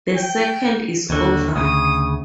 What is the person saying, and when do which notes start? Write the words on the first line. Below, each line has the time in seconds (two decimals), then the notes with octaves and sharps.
The second is oval.
0.16 G5
1.10 D#2 D3 F#4
1.56 D2 A#2 C#3 D#6